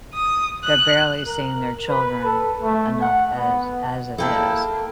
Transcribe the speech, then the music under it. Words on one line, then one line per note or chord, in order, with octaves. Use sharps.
they're barely seeing their children enough as as it is.
D#6
F#6
A#4
B4
A4
A3
F#5
B3
A#3 E4 A4 G5 A5